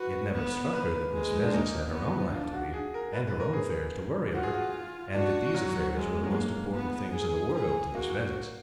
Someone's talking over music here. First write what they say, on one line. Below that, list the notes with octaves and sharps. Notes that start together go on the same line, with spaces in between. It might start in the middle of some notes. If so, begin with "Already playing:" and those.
It never struck her that Miss Vezzis had her own life to lead and her own affairs to worry over, and that these affairs were the most important things in the world to Miss Vezzis.
Already playing: F#4 B4
B3
A#3 B4
G#3
D4
A#3 D#4
B3
D4 F4
F#4
G#4
A#4
B4
B4
A#4
G#4
F4 F#4
G#4
F#4
D4 F#4
F#3
G#3
F#3
G#3 A#3
B3
G#4
G#4
A#3 F#4